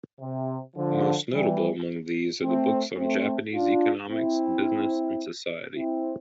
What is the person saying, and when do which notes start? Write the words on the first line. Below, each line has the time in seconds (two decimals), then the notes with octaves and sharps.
Most notable among these are the books on Japanese economics, business, and society.
0.21 C3
0.76 D3 F3
1.32 E3 G3
2.42 A3 C4
2.98 A3 C4
3.53 D4 F4
4.09 C4 E4
5.75 C4 E4